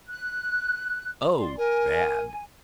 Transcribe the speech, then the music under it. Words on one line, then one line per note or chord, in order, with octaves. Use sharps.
"Oh! Bad!"
F#6
D5 C6
A#4 G#5